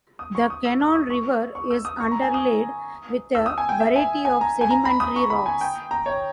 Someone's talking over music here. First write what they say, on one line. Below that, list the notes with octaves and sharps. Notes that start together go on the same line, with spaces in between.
The Cannon River is underlaid with a variety of sedimentary rocks.
D#6
C#6
D#6
E6
E6
C#6
D#6
C#6
C#6
E6
D#6
C#6
A#5
G#5
D#6
E6
D#6
G#5
G5
E5
G#5
G#5
A#5
G#5
A#5
B5
D#6
C#6
B5
G#5
G5
A#5
C#5